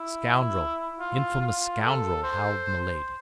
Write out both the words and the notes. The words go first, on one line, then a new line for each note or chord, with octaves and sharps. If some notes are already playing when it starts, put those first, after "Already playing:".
"Scoundrel, infamous scoundrel!" howled Milady.
Already playing: E4
F4
F4
A4
C5